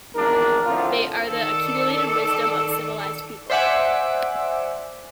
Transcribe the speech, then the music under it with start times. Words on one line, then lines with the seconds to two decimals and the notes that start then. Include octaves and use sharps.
They are the accumulated wisdom of a civilised people.
0.14 G#1 E2 D4 A#4
0.65 A2 D3 F3 C4 F4
1.25 D#3 A4 D5
3.50 C5 D5 E5 F#5 G#5 D6